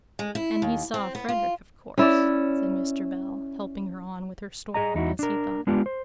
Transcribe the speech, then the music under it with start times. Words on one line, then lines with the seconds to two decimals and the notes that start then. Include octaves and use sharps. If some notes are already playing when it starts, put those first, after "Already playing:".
'And he saw Frederick of course,' said Mr. Bell, helping her on with her story, as he thought.
0.19 G#3
0.35 E4
0.62 D#2
0.94 C4
1.15 B3
1.29 F4
1.98 C#4 E4 D5
4.74 G#4 D#5 A#5
4.95 E2 D#4 E4 F#4
5.19 D4 A#4
5.67 G#3 B3 D4 F4 G4
5.86 C5